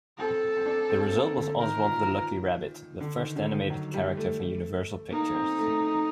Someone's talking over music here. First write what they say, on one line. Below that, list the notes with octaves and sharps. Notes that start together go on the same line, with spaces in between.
The result was Oswald the Lucky Rabbit, the first animated character for Universal Pictures.
C4 A4
C4
D4
C4
A#3
D3
D#3 A#4
A#2
D3
D#3
D3
D#3
F#3
G3
A3
A#3 D#4
C4
A3